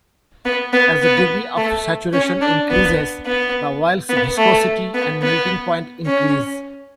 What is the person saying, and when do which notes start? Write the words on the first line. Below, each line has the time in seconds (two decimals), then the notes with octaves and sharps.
As the degree of saturation increases, the oil's viscosity and melting point increase.
0.45 B3
0.73 B3
1.02 B3
1.57 A3
2.13 C#4
2.41 D4
2.70 B3
3.26 B3
4.09 B3
4.37 A3
4.94 B3
5.22 B3
6.06 C#4